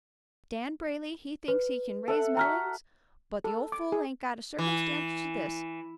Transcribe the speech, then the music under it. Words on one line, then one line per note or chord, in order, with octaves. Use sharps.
Dan Brayley he thinks he kin raise mellings, but the ol' fool ain't got a circumstance to this.
B4
A4 E5 F#5
F#4 F#5 A#5 F6 B6
A4
D6
G#4
E3